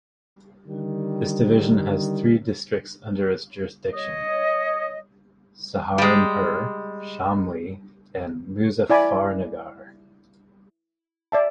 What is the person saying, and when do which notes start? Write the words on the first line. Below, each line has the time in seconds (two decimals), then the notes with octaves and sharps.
This division has three districts under its jurisdiction: Saharanpur, Shamli and Muzaffarnagar.
0.67 D3 D#3 G3
3.93 C#5 D#5
5.98 G3 G#3
8.90 E4 D5 G#5 B5 D6
11.32 D5 E5 A5